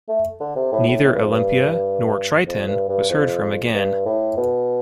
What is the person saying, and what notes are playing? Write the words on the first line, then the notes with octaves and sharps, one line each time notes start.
Neither "Olimpia" nor "Triton" was heard from again.
A3
D3
C3
A2
A2
A2
G2
F2
G2
F2
G2
G2
F2
G2
A2
B2